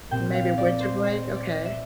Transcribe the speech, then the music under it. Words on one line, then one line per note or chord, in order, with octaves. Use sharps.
Maybe winter break, okay.
A#2 G3 C4 G5
F5
D5
C5
C5
D5
E5